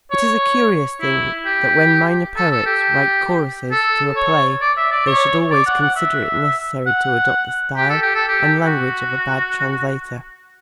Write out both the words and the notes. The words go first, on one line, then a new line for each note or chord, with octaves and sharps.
It is a curious thing that when minor poets write choruses to a play they should always consider it necessary to adopt the style and language of a bad translator.
C#5
E4
G4
A4
A4
G4
A4
C#5
D5
E5
D5
C#5
D5
F#5
F#5
E5
F#5
G4
A4
G4
A4
G4
F#4